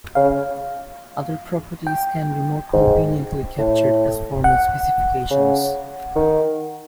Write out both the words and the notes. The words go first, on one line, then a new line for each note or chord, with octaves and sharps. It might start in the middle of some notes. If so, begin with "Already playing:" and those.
Other properties can be more conveniently captured as formal specifications.
C#3 F5
G5
G#2
A2
F#5
C#3
D#3